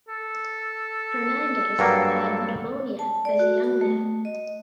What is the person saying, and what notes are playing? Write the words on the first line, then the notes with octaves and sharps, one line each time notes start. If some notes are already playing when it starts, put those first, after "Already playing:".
Hernandez had pneumonia as young man.
A4
G2 F#3 A#3
A5
D5
F#4
F#4
A3
D#5